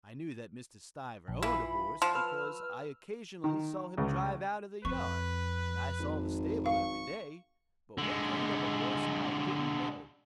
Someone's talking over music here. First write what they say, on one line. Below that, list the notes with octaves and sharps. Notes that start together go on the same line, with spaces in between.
I knew that Mr. Stiver owned a horse, because I occasionally saw him drive out of the yard, and I saw the stable every day,--but what kind of a horse I didn't know.
A#1
E3 F4 B5
F3
B4 E6 F6
D#3
C#2
F2 B4 C#6
G#1
F5 C#6
D3 G#3